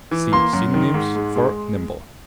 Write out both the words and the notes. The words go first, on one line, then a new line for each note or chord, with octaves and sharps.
See synonyms for NIMBLE.
E3
A#3 C6
F#2
D#3
G#2
G#3
G#3